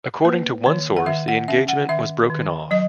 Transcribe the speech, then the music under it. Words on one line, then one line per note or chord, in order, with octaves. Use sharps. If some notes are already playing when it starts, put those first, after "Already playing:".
According to one source the engagement was broken off.
A#3 B4
D#3 C#5
F#5
D#3 E5
F#5
C#4 E5
F#5
D#3 E5
D#3
F#3 D#5